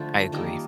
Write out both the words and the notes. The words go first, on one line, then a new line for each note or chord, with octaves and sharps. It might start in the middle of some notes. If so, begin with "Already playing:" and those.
I agree.
Already playing: D3 F3 A3
D#3 G3 A#3 D#5